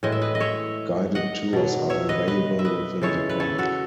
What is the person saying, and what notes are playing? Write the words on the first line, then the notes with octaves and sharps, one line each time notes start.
Guided tours are available within the park.
A2 E3 G#3 D#5
E5
B4 D#5
D#5
C#5 E5
D#5 F#5
B2 F#3
C#5 E5
B4 D#5
B4 D#5
E5
B4 D#5
C#3 E3 G#3 A4 C#5
B4
A4 C#5
F#4 A4